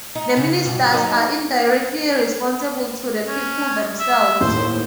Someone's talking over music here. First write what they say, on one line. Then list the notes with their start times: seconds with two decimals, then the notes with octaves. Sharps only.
The ministers are indirectly responsible to the people themselves.
0.15 D#4
0.37 C#3
0.65 G2 B2
0.93 F#3 A#3 D#4
3.27 C#4
3.99 E5
4.41 D#2 A2 C5